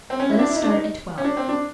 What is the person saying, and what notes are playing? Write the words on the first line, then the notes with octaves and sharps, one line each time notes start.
Let us start at twelve.
C4
C#4
E4
D4
E4
D#4
D4
D#4
C#4
D4
C4
D4